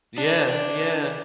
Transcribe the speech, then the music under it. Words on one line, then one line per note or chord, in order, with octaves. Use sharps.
Yeah, yeah.
D4